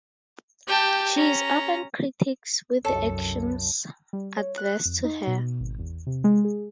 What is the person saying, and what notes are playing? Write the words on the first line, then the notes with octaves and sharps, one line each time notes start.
She is often critics with the actions adverse to her.
G4 G5 A5
C#4 A#5
C2 F#2 A4 C#5 A5
G3
C#5
F#6
F2
D#4
B2
G#1
E2
C3
G#3
G#4